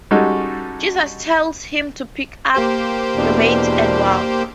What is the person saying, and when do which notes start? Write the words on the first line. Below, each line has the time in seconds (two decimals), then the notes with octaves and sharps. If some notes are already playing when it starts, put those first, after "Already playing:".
Jesus tells him to Pick up your mat and walk!
0.11 G3 G#3 C#4 D#4 F#4 A4
2.55 A#3 G4 C5
3.16 E2 B2 D4